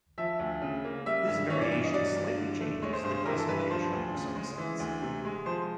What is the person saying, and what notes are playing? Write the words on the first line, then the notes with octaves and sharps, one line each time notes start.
This variation slightly changes the classification of some sets.
F3 E5
D2
C#3
A#3
G3 E5
G2 E5
E3 C#5
D5
G2 D5
D#5
F#3 D5
G2
D3
A3
G#3 C#5
C5
G2 C5
C5
E3 A#4
A4
G2 B4
B4
F3 C5
D2
C#3
G#3
E3
D2
C3
G#3
F3 C5